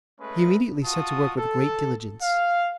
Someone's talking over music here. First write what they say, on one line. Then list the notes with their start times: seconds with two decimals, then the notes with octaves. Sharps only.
He immediately set to work with great diligence.
0.20 G#3 A3 C#4 B4
0.83 F4 F#4 A5 D#6
1.37 A4
2.22 F5